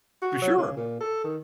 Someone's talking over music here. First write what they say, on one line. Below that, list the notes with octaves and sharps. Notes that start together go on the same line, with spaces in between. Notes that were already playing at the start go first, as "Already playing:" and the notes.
For sure!
F#4
F#3
C#3
A#2
A4
D#3